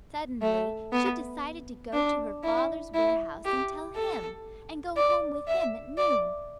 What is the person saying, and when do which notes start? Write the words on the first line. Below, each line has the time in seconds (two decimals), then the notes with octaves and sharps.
Suddenly she decided to go to her father's warehouse and tell him, and go home with him at noon.
0.42 A3
0.92 B3
1.93 D4
2.44 E4
2.94 E4
3.45 G4
3.95 A4
4.97 D5
5.48 E5
5.97 D5